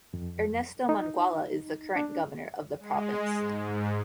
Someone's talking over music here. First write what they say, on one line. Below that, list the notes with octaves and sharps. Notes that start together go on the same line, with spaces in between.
Ernesto Muangala is the current governor of the province.
F2
D#4
D4
G#3
G#2